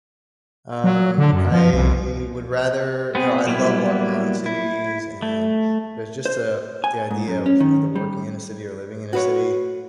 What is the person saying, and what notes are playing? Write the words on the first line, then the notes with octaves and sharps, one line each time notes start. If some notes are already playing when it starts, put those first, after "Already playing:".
um, I would rather you know, I love walking around cities, and there's just a the idea of either working in a city or living in a city
F#3
D3
F#2
F3
C2
B3 C4 G#4
F#3 G3 A#3 B3 E4
E4
A3
C5
G#5
G#2
F#2
C#4
D#3
G3
F#4 B4 C#5